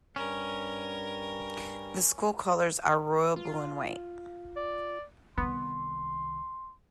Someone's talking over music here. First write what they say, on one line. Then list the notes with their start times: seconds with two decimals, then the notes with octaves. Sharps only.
The school colors are royal blue and white.
0.16 G2 G3 C#4 A#4
3.36 F4
4.57 D5
5.38 C2 D#3 B3 C6